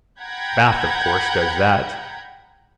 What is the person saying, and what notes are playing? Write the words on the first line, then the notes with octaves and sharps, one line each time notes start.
Bath of course does that.
F#5 G5 A#5 B5 G6 G#6